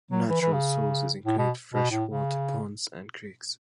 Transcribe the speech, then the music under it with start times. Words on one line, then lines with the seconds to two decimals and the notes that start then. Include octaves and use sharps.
Natural sources include freshwater ponds and creeks.
0.11 F#3
0.29 E3
0.42 E3
0.53 C#3
1.26 A2
1.38 B2
1.74 B2
1.91 A2
2.09 C#3